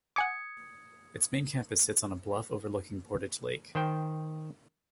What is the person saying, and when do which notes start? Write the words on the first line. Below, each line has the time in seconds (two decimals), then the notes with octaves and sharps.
Its main campus sits on on a bluff overlooking Portage Lake.
0.16 F#5 G#5 D6 D#6 G#6 C#7
3.75 D#3 C5 G5